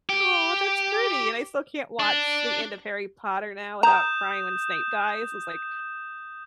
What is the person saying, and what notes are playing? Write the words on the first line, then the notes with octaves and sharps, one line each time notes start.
"Aw, that's pretty." And I still can't watch the end of Harry Potter now without crying when Snape dies, it's like,
G4
D4
A#5 D#6 G6 E7